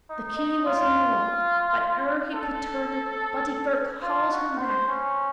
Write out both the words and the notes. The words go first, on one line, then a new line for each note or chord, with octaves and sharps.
The key was in the lock, but ere he could turn it Buddy Girk hauled him back.
D#4
D#4
F4
A4
F4
F#4
C5
C#4